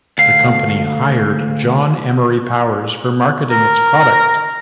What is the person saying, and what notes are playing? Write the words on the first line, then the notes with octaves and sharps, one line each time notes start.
The company hired John Emory Powers for marketing its product.
D2 F5
A#4